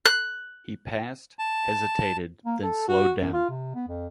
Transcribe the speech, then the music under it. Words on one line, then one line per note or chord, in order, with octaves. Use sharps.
He passed, hesitated, then slowed down.
F#6
A5
A#3
A4
F#4
F#2
F4
C3
B3
F2